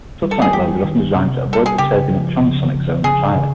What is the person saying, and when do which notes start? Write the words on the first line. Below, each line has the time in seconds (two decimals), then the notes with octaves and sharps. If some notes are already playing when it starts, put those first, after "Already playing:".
Subsonic loads are often designed to avoid the turbulent transonic zone entirely.
0.22 G3
0.31 A4
0.42 G#4
0.53 G3 G4
0.84 D#3
1.15 C3
1.47 G3
1.53 A4
1.66 G#4
1.78 C#3 G4
2.10 F3
2.42 C#3
2.72 F3
3.04 C#3 G#4
3.36 C#3